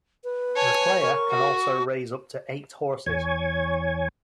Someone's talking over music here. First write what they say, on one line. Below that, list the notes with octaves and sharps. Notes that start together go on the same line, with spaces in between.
The player can also raise up to eight horses.
B4
C#5 G#5 A5
A#4 C#6
F#4
E2 C#5 G#5